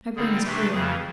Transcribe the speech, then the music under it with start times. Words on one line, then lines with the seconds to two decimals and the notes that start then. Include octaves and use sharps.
My brain is clearer now.
0.16 D3 G3 C4 D#4 G#4
0.45 C3 E3 A3 D4 G4
0.72 F2 C#3 E3 G#4